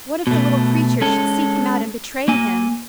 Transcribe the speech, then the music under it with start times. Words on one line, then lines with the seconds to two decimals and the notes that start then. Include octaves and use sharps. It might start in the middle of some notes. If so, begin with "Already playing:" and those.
What if the little creature should seek him out and betray him!
0.27 B2 A3
1.01 G#3 C#4 A4
2.28 A#3 G#5